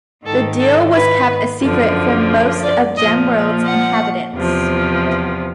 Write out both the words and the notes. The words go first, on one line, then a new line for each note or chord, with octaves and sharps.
This deal was kept a secret from most of Gemworld's inhabitants.
G#2 D#3 A4
A4
B4
F#2 D3 F3
D5
A#2 F3 D#5
F#5
E2 C3 F3